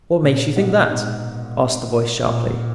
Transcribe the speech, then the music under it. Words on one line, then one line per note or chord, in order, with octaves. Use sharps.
"What makes you think that?" asked the voice sharply.
A#2
G#2 B2
G#2 B2
A#2